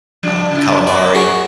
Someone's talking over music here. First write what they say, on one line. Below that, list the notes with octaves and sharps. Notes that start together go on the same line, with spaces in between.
uh, calamari.
F3 G3 D4
C#3 E4 F4
F#3 A#3 B3 D5
F#4 G#4